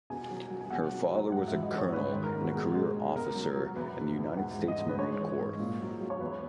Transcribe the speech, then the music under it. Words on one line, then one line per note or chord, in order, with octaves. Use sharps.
Her father was a colonel and career officer in the United States Marine Corps.
B2 G#5
F#3
F#3
G#5
B2 F#5
F#3
F#3
G#2 F#5
E3 E5
D#5
G#2
C#5
G#2 B4
D#3
A#4
G#2
F#4
B2 G#4
G#3
G#3
B2 A#4
F#3
F#3
E2 B4
B2
E2
G#2 F#5
E3
D#5
G#2
B4
G#2 C#5
E3
G#2
A#2
F#3
F#3
C#5
E2 B4